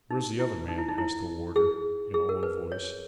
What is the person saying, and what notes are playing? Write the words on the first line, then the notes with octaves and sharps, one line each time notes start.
"Where's the other man?" asked the warder, in a low voice.
D#4
E4
D#4
E4
D#4
E4
G#4
G#4
A#4
B4
C#5